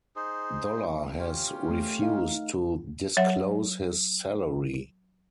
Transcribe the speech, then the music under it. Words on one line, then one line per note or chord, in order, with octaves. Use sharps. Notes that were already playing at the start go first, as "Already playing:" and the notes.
Dollar has refused to disclose his salary.
D#4 G#4 C5
C#4 F4 G4
A3
D#4 F5
F#3 C#5 E5 F#5